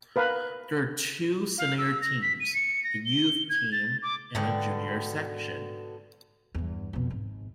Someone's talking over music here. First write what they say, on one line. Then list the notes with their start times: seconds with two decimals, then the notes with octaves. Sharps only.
There are two senior teams, a youth team and a junior section.
0.16 A#4 B4 F5
1.58 F5
1.78 E6
2.02 A#6
2.22 B6
2.40 D#7
2.54 C#7
2.84 A#6
3.05 G7
3.49 G#6
3.72 A6
4.03 D6
4.35 G#2 B2 D3 G5
6.55 E2 G2
6.93 F2 B2
7.10 G#1